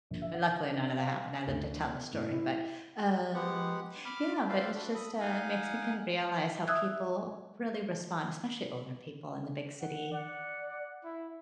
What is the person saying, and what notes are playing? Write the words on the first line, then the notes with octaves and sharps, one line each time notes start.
But, luckily none of that happened, I lived to tell the story, but, um Yeah, but it's just, uh, it makes me kind of realize how people really respond, especially older people in the big city.
A#1
E5
F#5
D4
F5
D2
B3
A2
E4
G#3 B3 G4 F#5
B5 D6 F6
B4 C5 D5 E5 F5
D4 F#4
A4 B5 D#6
D#4 F5 F#5 G#5
E5 D#6 E6 F#6 G#6
F#5
D5 F#5
E4